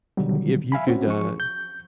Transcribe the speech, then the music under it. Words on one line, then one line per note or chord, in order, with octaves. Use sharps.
if you could, uh,
B2 D3 D#3 F#3 G3
E5 F5 G#5 B5
C4 C#4 F#4
F3 G#4 C#6
G6